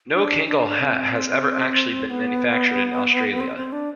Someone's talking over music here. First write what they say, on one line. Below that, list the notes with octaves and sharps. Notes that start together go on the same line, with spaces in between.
No Kangol hat has ever actually been manufactured in Australia.
D4
D4
C4
B3
C4
C4
D4